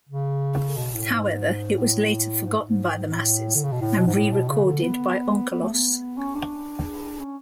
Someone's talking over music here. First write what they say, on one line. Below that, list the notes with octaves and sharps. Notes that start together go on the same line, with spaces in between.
However, it was later forgotten by the masses, and rerecorded by Onkelos.
C#3
B2
A2
G#2
A2
G#2
G#2
A2
D3
C#3
B2
A2
B2
G#2
A2
B2
C#3
D3
B3
B3
A3
B3
C#4
D4
C#4